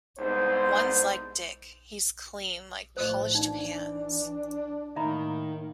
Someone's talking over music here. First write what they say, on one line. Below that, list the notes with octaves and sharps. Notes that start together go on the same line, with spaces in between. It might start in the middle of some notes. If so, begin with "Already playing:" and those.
One's like Dick: he's clean like polished pans.
C2 G#2 B3 C5
A2 F3 C5 D#5
E3 D4 D#4
A2 D#3 A#3 E5 A#5 B5